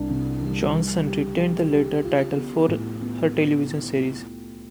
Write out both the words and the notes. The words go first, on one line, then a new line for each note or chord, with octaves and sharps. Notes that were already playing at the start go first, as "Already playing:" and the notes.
Johanson retained the latter title for her television series.
Already playing: C2 D4
C3
G3
G3
G4
G4
G4
F4
B3
A2
B3